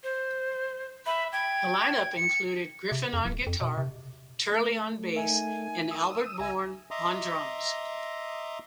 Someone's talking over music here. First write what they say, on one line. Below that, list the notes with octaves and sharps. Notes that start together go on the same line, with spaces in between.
The lineup included Griffin on guitar, Turley on bass, and Albert Born on drums.
C5
E5 B5
G5 G#6
C#7
C3
F2
D1
F2
B2
C3
A3
D#4 A#4 E5 G#5
D#6 E6
C#2 E5 G#5 A#5 E6
D#5 E5 A#5 C6 D6 D#6